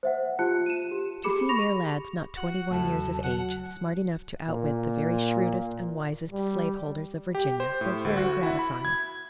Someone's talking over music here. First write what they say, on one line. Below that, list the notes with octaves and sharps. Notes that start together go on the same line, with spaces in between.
To see mere lads, not twenty-one years of age, smart enough to outwit the very shrewdest and wisest slave-holders of Virginia was very gratifying.
C5 E5 F#5
F4 G4 A5 F#6 C#7
D#7 E7
G4
G4 G#4 B5 D6 C#7 E7
B5 C#6 A#6 F7
F#4 F#5
E2 A2 C#3 F#3 A3 A5
F#3 F#5
A#2
G3
G4
C5
A2
D2
F#4
E4
B5
G#6